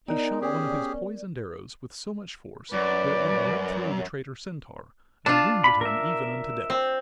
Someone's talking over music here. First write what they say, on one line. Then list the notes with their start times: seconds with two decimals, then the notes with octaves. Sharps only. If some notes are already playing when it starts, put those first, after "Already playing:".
He shot one of his poisoned arrows with so much force that it went right through the traitor Centaur, and wounded him even unto death.
0.08 B3 D#4 A#4 D5
0.42 C#4 G4 G#4
2.73 F#2 B4 D5
5.26 D4 F4 A5
5.64 B5
5.81 A#4 E5
6.70 C4